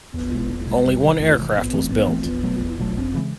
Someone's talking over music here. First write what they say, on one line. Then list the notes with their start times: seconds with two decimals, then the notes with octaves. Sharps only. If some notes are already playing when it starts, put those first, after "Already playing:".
Only one aircraft was built.
0.14 E2 B3
0.32 B2 G#3
0.50 E2
0.66 B2 G#3
0.84 F2 G3
1.02 C3 E3
1.20 F2 A3
1.38 C3 E3
1.55 G#2 B3
1.73 E3 A3 C4
1.90 G#2 B3
2.08 E3 A3 C4
2.26 E2 B3
2.43 B2 F#3 A3
2.61 E2
2.79 B2 F#3 A3
2.97 F#2 C4
3.14 C#3 E3 G#3